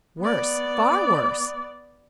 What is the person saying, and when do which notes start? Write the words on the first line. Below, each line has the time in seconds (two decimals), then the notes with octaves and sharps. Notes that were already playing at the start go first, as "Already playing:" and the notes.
Worse; far worse!
0.21 B3 D5